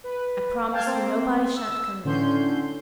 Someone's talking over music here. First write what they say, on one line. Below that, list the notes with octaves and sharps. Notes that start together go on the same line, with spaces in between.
I promise you nobody shan't come near.
B4
F5 G5 A5 F6 G6 G#6
A#3 C4 C5
E6
A2 D3 C#4 C6 G6